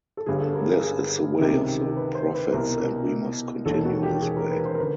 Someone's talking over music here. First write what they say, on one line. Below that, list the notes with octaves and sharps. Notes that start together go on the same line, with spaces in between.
This is the way of the prophets and we must continue this way.
A4
G1 G2 D3 G#4
A4
A#4
G#4
G#4
C#2 C3 D#3
B4
C5
B4
C2 B2 A#4
E1 D#2 D#3 A4
F#4
G4
G#4
A#4
B4
C5
A#4
D3 B4